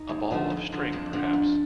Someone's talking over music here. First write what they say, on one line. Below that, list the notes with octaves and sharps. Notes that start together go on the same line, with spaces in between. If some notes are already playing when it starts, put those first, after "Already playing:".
A ball of string, perhaps.
Already playing: D#4
D#2
D3 F3 A3
F2
D3 F3
F2 D4
D3 F3
F2